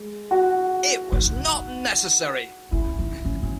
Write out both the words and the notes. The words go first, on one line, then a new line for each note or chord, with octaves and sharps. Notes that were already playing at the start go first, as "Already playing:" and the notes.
It was not necessary.
Already playing: G#3
F#4
D#4
C#4 E4
D#4
C#4
C#4